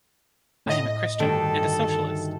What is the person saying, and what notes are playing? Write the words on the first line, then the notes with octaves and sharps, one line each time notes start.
I am a Christian and a Socialist.
A2 D#5
D2 G2 D#3 A4